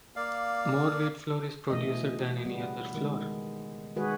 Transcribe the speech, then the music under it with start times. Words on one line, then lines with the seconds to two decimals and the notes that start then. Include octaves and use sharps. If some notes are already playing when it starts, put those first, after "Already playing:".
More wheat flour is produced than any other flour.
0.16 A#3 D5 F5
1.70 B2 E3 A3 D#5
2.45 C#3 G3 B3
2.94 D#3 G#3
3.96 D#3 G#3 F#4 G#4 B4